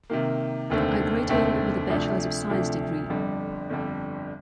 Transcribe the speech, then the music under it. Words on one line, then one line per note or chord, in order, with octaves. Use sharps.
I graduated with a bachelors of science degree.
C3 D#3 A#3
F1 D#2 D3 A3 C4
F1 D#2 D3 A3 C4
D2 C3 F3 A3 D4
D2 C3 F3 A3 D4
G1 F2 D3 G3
G1 F2 D3 G3